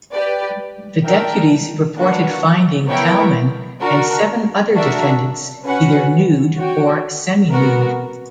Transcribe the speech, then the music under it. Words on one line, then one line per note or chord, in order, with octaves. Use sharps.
The deputies reported finding Talman and seven other defendants either nude or seminude.
G4 B4 D5
D4 A#4 E5 G5
A#3 D4 F#4 B4 F#5
B3 E4 A#4 C#5 G5
D4 F#4 A#4
D4 F#4 A#4 E5
C#4 F#4 B4 F#5
F#4 C#5 G5
B3 F#4 A#4